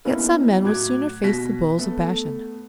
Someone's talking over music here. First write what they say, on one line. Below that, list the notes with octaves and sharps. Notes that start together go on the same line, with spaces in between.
Yet some men would sooner face the bulls of Bashan.
A#3 B3 C#4 D#4 E4
A2 F#3 D6 F#6 G#6
B2 A#6 B6
A3 B3 A4